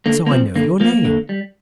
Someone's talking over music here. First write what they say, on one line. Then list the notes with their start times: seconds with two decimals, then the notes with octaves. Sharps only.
"So I know your name."
0.06 D3 A#3
0.26 A#3
0.30 F3 C4
0.55 D3 A#3
0.80 F3 A#3
1.05 D3
1.29 G3